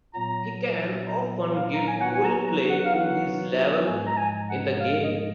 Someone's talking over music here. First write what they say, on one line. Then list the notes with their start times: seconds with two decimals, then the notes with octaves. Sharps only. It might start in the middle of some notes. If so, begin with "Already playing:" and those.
He can often give full play to his level in the game.
0.14 A#2 F#3 B3 A#5
1.08 A#5
1.54 F5
1.74 A#5
1.88 G#5
2.01 F#3 B3 D#4 F#4 B4 F#5
2.13 G#5
2.25 A#5
2.47 A#5
2.70 F#5
2.85 F5
2.94 F#5
3.87 G#2 F3 G#3 G#5
4.07 A#5
4.17 G#5
4.49 F#5
4.80 F5
5.04 D#5